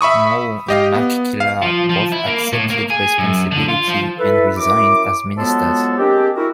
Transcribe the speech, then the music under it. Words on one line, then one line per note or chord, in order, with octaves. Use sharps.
Moore and MacKellar both accepted responsibility and resigned as Ministers.
E5 B5 C#6 D#6
G4 D#5 F5
B3
F5
F3
F3
E4
A#3
A2
A#3
G#4
F#2
D3
F4
F3
E4 A4 B4
F#2 E4 A#4 D6
F3 F#3 G#3 B3 A4 A5
G#3 A#3 C4 D4 G4
E4 F#4 A#4